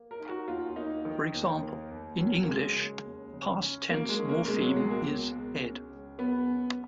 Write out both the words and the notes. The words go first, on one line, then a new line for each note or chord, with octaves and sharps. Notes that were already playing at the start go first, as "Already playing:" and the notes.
For example, in English, a past tense morpheme is "-ed".
Already playing: A#3
A#4
D#4
F#4
D#2 F4
A#3 D#4
D#3
D#2
A#3
D#2
F#3 C#4
A#3
C#3 G#3
C#3
D#2
C#3
C#4
F#3 A#3
G#3
C#4
A#3
B2 G#3
F#3
C#2 G#3
A#3
B2
C#2
C#4
C#2
F#3 B3
C#4